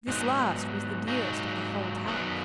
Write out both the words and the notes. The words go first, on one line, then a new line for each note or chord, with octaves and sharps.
This last was the dearest of the whole tariff.
G#2 F#3 B3 D#4
G#2 F#3 A#3 D#4
F#2 D#3 F#3 B3